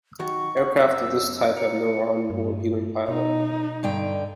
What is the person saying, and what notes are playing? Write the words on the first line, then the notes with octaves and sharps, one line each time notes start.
Aircraft of this type have no onboard human pilot.
D#3 F#3 F#4 C#6
F#5
F#2 F#5 E6
A#4 C#7
G2
B2 D#4
G2 D3 G5